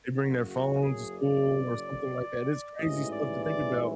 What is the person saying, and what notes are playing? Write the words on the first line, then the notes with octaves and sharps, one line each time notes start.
they bring their phones to school or something like that, it's crazy stuff to think about
F#1 F#2 C#3 F#4
F#4
G#4
D5
A1 G#2 E3 D#5
D5
D5